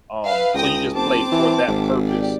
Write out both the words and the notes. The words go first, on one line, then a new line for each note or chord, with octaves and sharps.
um, so you just play for that purpose,
B4 E5 F5
C#2 G5 D#6 A#6
F#1 C4 A5 D6
E3
G#1
G4 D5